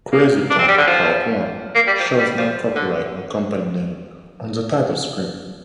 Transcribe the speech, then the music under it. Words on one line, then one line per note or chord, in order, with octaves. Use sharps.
"Crazy Kong Part One" shows no copyright or company name on the title screen.
A#3
D4
C4
G3
D3
F3
A#3
G3
F3
G3
F3
D3